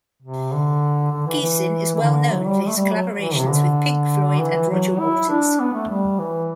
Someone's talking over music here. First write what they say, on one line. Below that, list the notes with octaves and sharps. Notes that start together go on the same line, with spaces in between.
Geesin is well known for his collaborations with Pink Floyd and Roger Waters.
C3
D3
D3
E3
E3
E3
D3
F#3
G3
G3
A3
G3
F#3
E3
C3
D3
E3
F#3
E4
D4
B3
A3
G3
E3